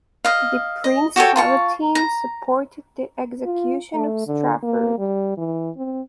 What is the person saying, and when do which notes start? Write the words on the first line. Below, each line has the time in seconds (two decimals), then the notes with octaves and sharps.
The Prince Palatine supported the execution of Strafford.
0.25 D#5 F5
0.84 D#5
1.16 F#4 G4 A4 C#5
1.36 F4 A5 C#6
1.95 A#5
3.45 F4
3.94 A3
4.27 D3
4.63 A#3
4.98 G3
5.38 E3
5.77 C4